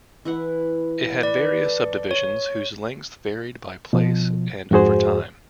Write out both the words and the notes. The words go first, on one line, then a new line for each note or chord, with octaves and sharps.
It had various subdivisions whose lengths varied by place and over time.
E3 E4 F#5
B4 D5
A4
C#5
B2 F3
F2 G#2 F#4 G#4 C5